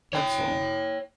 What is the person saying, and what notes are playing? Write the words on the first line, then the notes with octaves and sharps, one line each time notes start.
That's all.'
C#5 G5